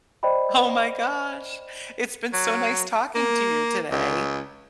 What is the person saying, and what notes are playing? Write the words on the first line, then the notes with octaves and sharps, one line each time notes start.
Oh my gosh, it's been so nice talking to you today.
C5 D5 D#5 G5 B5
F#3
A#3
C#2